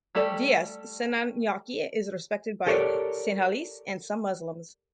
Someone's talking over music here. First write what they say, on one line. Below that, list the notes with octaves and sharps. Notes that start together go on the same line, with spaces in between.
D. S. Senanayake is respected by Sinhalese and some Muslims.
G3 A3 G4 A4 D5
G4 A4 A#4 C#5 D5